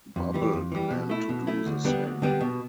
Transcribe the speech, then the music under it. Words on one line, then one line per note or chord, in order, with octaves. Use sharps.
Bubble planned to do the same.
F2
E3 G3
F2
E3 G3
B2
A3 E4
B2
A3 E4
D2
D3 G3 B3 D4
D2
D3 G3 B3 D4
B2